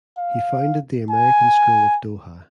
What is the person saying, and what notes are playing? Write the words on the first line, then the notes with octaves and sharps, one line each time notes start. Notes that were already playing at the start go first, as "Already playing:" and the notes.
He founded the American School of Doha.
F5
G#5